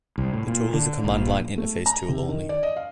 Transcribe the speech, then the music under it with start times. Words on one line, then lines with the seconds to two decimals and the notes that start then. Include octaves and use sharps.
The tool is a Command Line Interface tool only.
0.18 C2
0.33 A2
0.47 A#2
0.73 D3
1.05 A#1
1.58 A3
1.86 A#5
2.09 C3
2.29 D#3
2.49 D5
2.63 D#5
2.76 F5